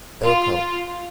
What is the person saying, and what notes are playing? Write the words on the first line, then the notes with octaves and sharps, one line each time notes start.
Hill Co.
F4